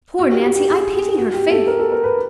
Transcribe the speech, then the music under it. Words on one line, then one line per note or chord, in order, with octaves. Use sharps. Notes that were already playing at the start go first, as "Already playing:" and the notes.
Poor Nancy, I pity her, faith!
F#4
G4
F#4
G4
G#4
G#4
G4
F#4
G4
A4
A#4
A4
A#4
B4